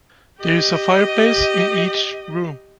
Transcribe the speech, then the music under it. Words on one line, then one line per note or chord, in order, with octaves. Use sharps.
There is a fireplace in each room.
G4 D#5